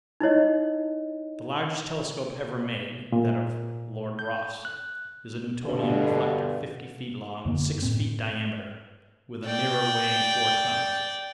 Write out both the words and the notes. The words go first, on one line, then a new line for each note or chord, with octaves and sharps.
The largest telescope ever made, that of Lord Rosse, is a Newtonian reflector, fifty feet long, six feet diameter, with a mirror weighing four tons.
D#4 E4 C#5 D#5
A#2
G6
F#6
G2 B2 D3
F#2 D3 A#3 B3
A2 C4
D5 G5